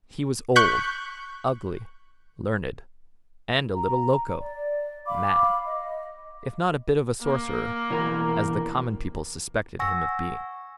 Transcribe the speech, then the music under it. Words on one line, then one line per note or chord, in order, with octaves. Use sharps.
He was old, ugly, learned--and a little "loco"--mad, if not a bit of a sorcerer, as the common people suspected him of being.
C#6 F#6 G6 B6
E4
A#5
D5
F5 B5 D6
D#5
A#3
B2 E3 A#4
F#5 G#5 C#6 E6 A#6